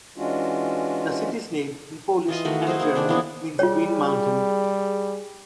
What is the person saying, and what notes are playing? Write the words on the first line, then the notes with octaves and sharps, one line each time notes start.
The city's name, in Polish, and German, means "green mountain".
E3 G#3 C#4 D4 F4 F#4
E3 F4 D#5
D#3 A3 F#4
D#4 E4 G#4 C5
A#3 G#4
D#3 D4 G#4
E3 B3 C#4
G3 F4 G#4 C#5